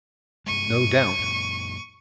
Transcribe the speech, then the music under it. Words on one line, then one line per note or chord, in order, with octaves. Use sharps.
"No doubt."
G2 C3 G#3 C#6 D#7
F#2 A#2